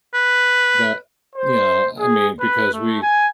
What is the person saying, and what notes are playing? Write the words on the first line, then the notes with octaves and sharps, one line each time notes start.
but, you know, I mean, because we,
B4
C5
G#4
B4
A3
G#5